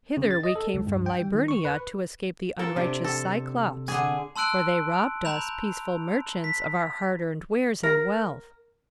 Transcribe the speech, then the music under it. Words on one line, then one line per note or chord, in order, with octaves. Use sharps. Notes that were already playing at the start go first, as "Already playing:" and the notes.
Hither we came from Liburnia to escape the unrighteous Cyclopes; for they robbed us, peaceful merchants, of our hard-earned wares and wealth.
C#3
A6
D#5
A4
C#2
G2
G5
G3
D#3
C#6
B4
F4 A4 A#4
C3 D4
A4
D3 G#4
A5 C6 E6 F#6 D7 F#7
A#5 B5 G6 F7
B6
A#4